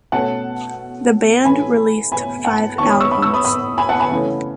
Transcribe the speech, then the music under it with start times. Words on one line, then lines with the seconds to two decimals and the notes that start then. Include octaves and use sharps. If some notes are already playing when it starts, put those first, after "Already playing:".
The band released five albums.
0.12 B2 A3 C#4 F#5 A5
1.45 A2 E3 A3 C#4 G#5 B5
2.12 G#5 B5
2.45 F#5 A5
2.78 E2 D#3 F#3 C#4 A5 C#6
2.89 B5 D#6
3.00 C#6 E6
3.11 B5 D#6
3.22 C#6 E6
3.34 B5 D#6
3.44 B5 D#6
3.78 G#5 B5
3.89 F#5 A5
4.00 G#5 B5
4.11 C#3 E3 A3 C#4